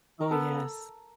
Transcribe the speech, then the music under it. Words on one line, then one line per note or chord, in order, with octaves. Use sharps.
Oh, yes.
A#4
B3 A4